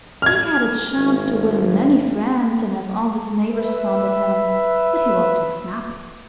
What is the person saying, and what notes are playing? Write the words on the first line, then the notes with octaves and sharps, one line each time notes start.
He had a chance to win many friends and have all his neighbors fond of him, but he was too snappy.
F6 G#6
G#1
B4 E5